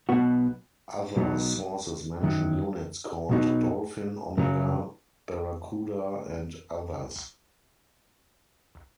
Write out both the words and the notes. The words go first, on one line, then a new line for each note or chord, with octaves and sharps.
Other sources mention units called "Dolfin", "Omega", "Barrakuda", and others.
B1 B2 B3 F#4
B1 B2 F#3 B3 D#4
F#2 D#3 F#3
B1 B2 F#3 D#4
F#2 C#3 F#3